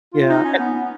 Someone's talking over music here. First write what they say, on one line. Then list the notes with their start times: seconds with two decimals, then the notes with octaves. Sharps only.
Yeah, and
0.14 F4
0.29 D#4
0.44 C#4
0.59 B3
0.75 B3